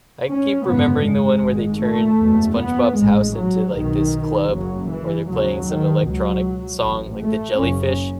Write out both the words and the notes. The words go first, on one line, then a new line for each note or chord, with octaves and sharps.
I keep remembering the one where they turned SpongeBob's house into, like, this club, where they're playing some electronic song, like, the jellyfish
C#4
G#1 F#2 C#3 B3
G#3
G#1 G#2
A3
F#1 E2 B2
B3
A1 G#2 G#3
F#3
B1 B2 D#3
F#1 F#2 C#3 F#3
E3
D#2 C#3 F#3
D#3
C#2 B2 F#3
A1 A2
A3
F#1 F#2 C#3 C#4